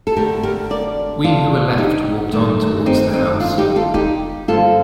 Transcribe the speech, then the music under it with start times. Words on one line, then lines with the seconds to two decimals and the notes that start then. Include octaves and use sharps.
We who were left walked on towards the house.
0.07 A4
0.16 D2 D3 A3 G4 A#4
0.43 G4 A#4
0.70 A#4 D5
1.24 D4 F4
1.78 D#4 G4
2.33 G2 D#3 A3
2.86 C4 D#4
3.13 C4 D#4
3.40 D4 F4
3.58 D#4 G4
3.76 F4 A4
3.94 D#4 G4
4.48 G2 D3 F3 A#3 F4 A4